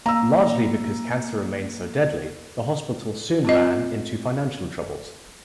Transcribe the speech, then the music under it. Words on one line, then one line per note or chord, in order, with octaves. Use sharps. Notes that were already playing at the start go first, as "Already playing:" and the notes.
Largely because cancer remained so deadly, the hospital soon ran into financial troubles.
A#3 A#5 E6
C4 F4 D#5